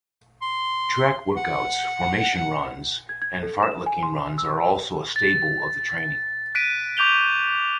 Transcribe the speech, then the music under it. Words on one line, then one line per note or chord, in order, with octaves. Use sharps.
Track workouts, formation runs, and fartlek runs are also a staple of the training.
C6
F#5
G#6
G#6
A4
E7
G#5
C6
E6
A6
F#6 B6 D7 D#7
C#6 D6 G6 F7 G7